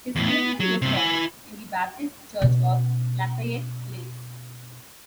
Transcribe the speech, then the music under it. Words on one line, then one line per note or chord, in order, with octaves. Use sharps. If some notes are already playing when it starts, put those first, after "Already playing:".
His funeral was held in the Baptist Church on Lafayette Place.
E2 A2
B3
F#3
G2 C3
E4 G#5
B2 C#4